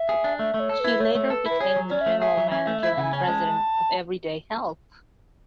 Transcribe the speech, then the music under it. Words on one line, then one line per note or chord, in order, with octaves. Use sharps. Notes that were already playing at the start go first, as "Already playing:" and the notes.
She later became the general manager and president of Everyday Health.
Already playing: E5
G#4
D4
A3 E5
A3
C#5
A4
E4 B4
A3 C#5
A3
A4 B4
E4 B4
G#4 C#5
F#3
C#4 D5
E5
A3
G#4 E5
F#3
C#4 E5
A3
E4 E5
C#3 F#5 G#5
C#4 G#5
A5
G#3